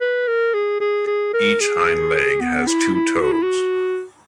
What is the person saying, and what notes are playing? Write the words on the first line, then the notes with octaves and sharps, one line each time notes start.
Each hind leg has two toes.
B4
A#4
G#4
G#4
G#4
A#4
G#4
B3
E4
E4
F#4
E4
F#4